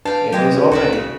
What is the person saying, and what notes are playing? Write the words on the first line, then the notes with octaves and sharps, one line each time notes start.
It is already.
D4 B4 F5 G5 A5
E3 F#3 G#3 G4 G5
C#4 F#4 B4
C2 F#4 D5 E5
C#3